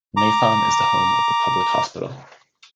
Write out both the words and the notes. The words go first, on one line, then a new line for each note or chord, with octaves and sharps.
Nathon is the home of the public hospital.
A#5 D6